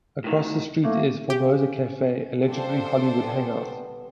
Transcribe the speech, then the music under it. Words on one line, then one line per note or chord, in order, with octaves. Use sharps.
Across the street is the Formosa Cafe, a legendary Hollywood hangout.
A2 D#3
B1 A3 A#3
C#4 G4 F5
D3 F3 G3 D4 A4 C5
G3 B3 G#5